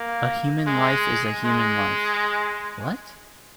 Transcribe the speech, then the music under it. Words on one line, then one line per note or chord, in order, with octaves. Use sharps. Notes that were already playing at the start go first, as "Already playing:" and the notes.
A human life is a human life, what?
Already playing: A#3
G#3
G#3